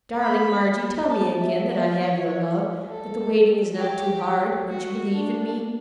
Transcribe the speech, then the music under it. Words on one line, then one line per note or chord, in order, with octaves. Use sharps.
Darling Margie, tell me again that I have your love, that the waiting is not too hard, that you believe in me.
B5
A5
E5
E5
C#5
A4
G4
F#4
D4